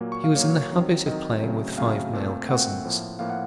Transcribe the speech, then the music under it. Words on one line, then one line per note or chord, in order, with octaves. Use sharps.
He was in the habit of playing with five male cousins.
A#2 F#3 A#3
C#6
F5
A#2 F#3 A#3 C#5
D#3 F#3 C4
D#3 F#3 C4 D#5
C#3 F#3 A3 C4
C#3 F#3 A3 C4 F5
A#2 A3 C4
A#2 A3 C4 F#5
F#5
A2 F3 A#3
A2 F3 A#3 F5
F#5